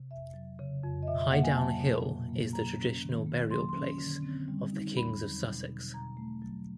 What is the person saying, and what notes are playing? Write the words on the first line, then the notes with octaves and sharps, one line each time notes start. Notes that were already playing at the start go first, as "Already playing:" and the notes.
Highdown Hill is the traditional burial-place of the kings of Sussex.
Already playing: C3
F2 E5
F#3
C#3
F2
D#5
B2 E5
E5
A#3 F#5
G#5
F#3 A5
B2
A#2
A#3
F#3 A#5
C#4
D#3
A#3
F#3 C6
C6
C#4
D3
C4
G3
D#4
E2 B5
F#3
B2
E2
B2 A#5
A3
F#3